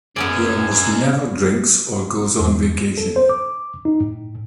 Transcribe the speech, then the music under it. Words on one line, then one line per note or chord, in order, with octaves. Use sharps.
He almost never drinks or goes on vacation.
F#2 C#3 G#3 B3 C#4 D5 G#5 E6
D4 D#4
E2
A4
C5
D6
D#4
A2